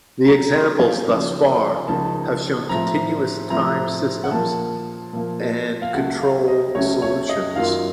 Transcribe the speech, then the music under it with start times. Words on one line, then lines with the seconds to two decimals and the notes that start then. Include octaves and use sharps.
The examples thus far have shown continuous time systems and control solutions.
0.26 D#2 D#3 F#3 A#3 A#5
0.53 C6
0.79 F5
1.07 C#2 C#3 F3 A#3 D#4
1.88 C#2 C#3 F3 A#3 D#4 A5
2.69 A2 F3 C4 A#5
3.50 A2 F3 C4 A#5
4.24 F#5
4.31 A#2 F3 A#3 A5
5.13 A#2 F3 A#3
5.82 F5
5.94 C#2 C#3 F#3 A3 C#4 F#5
6.20 F5
6.48 D#5
6.75 C#2 C#3 F#3 A3 C#4 C#5
7.02 C#5
7.29 D#5
7.56 F#2 D#3 F#3 A#3 F4 F5